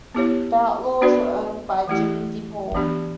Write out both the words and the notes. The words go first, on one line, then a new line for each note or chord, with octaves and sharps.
The Outlawz were owned by Jim DePaul.
B3 E4 G4 C#5
B3 D4 F#4 B4 D5
E3 A3 E4 G4
E3 B3 D4 G4